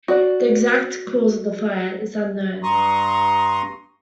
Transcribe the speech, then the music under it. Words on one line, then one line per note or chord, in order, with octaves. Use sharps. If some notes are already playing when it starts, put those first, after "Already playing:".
The exact cause of the fire is unknown.
F#4 D5
G2 A#5 C6 C#6 D#6